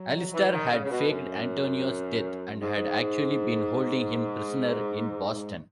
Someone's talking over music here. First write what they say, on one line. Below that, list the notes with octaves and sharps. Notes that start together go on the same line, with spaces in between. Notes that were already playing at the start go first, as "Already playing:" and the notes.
Alistair had faked Antonio's death and had actually been holding him prisoner in Boston.
Already playing: F#3
E3
D#3
C#3
C#3
B2
F#2
G#2